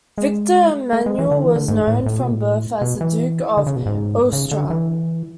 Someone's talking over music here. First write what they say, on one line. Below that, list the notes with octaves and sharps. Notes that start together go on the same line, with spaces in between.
Victor Emmanuel was known from birth as the Duke of Aosta.
G#3
A3
G#3
E3
D3
E3
D3
G#2
A2
A2
B2
A2
B2
E3
D3
C#3
B2
G#2
C#3
D3
E3